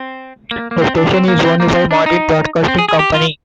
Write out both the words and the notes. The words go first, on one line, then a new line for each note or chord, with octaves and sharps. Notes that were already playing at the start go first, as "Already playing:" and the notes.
The station is owned by Martin Broadcasting Company.
Already playing: C4
A#3
A#3
C4
D4
C4
A#3
C4
A#3
C4
D4
D#4
C4
G#4
G#4
G4
F4